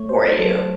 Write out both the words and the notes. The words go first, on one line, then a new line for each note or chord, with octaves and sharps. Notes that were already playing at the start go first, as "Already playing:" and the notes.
for you.
Already playing: A3 C#5
C5
F#3 A4